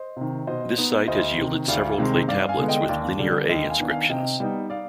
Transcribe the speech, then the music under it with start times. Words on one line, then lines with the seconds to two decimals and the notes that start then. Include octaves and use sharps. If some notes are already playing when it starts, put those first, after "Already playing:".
This site has yielded several clay tablets with Linear A inscriptions.
Already playing: C5 D#5
0.16 C3 D#3
0.47 B2 C5 D#5
0.78 B3 D#4
1.07 D2 C5 D#5
1.38 C3 D#3
1.68 D2 D5 F5
1.98 C3 D#3 G#3
2.28 G2 D5 F5
2.49 F5 G#5
2.59 D3 G#3 B3 D4
2.68 D#5 G5
2.89 D#2 D5 F5
3.19 D3 G3 D4
3.49 D#2 D#5 G5
3.70 F5 G#5
3.80 D#3 B3 D4
3.90 F5 G#5
4.09 C3 D#5 G5
4.40 G3 B3 D#4
4.70 D5 F5